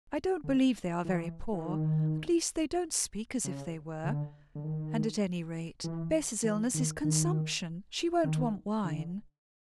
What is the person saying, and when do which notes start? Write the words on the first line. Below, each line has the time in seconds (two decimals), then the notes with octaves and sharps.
I don't believe they are very poor,--at least, they don't speak as if they were; and, at any rate, Bessy's illness is consumption--she won't want wine.
0.44 D3
1.05 E3
1.53 E3
1.64 D#3
3.45 C#3
4.04 D3
4.55 D3
4.64 D#3
5.84 E3
6.44 E3
6.74 D#3
7.04 D#3
8.24 D#3
8.84 D3